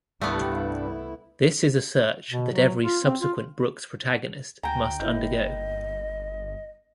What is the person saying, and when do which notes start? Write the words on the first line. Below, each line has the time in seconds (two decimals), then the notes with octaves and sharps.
This is a search that every subsequent Brooks protagonist must undergo.
0.21 C2 G2 A3 B3 E4
2.31 B2
2.53 F#3
2.82 F4
3.04 C4
3.22 F4
4.63 D2 G5 G#5 A#5
5.00 G1 A#3 E4 D#5 G6